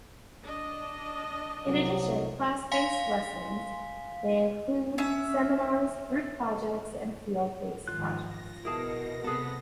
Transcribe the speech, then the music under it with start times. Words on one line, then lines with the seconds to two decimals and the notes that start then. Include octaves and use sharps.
In addition class-based lessons, they include seminars, group projects and field-based projects.
0.44 D4 D#5
1.67 C2 F#3
2.72 F5 G#5 C6 B6
4.98 C#4 E5
7.88 G#2 D#3 F3 F4 F#6
8.21 A#6
8.65 B2 E4 G#4 A#4 A5
9.24 C3 B3 G#4 A4